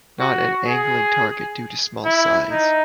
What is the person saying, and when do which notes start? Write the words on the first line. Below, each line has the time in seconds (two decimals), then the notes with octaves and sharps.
Not an angling target due to small size.
0.20 F#4
0.67 G#4
2.05 E4
2.51 D#4